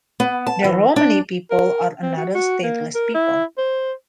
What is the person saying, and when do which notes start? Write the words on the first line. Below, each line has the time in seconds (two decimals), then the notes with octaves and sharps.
The Romani people are another stateless people.
0.20 B3
0.47 A5
0.64 E3
0.96 D4
1.50 A#4
2.03 C4
2.17 F#4
2.35 F#4
2.63 A#3
2.95 A#4
3.14 E4
3.58 C5